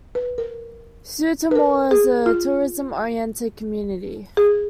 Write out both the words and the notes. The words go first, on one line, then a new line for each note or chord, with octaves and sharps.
Sutomore is a tourism oriented community.
B4
A#4
B4
A#4
G#4
F4
G#4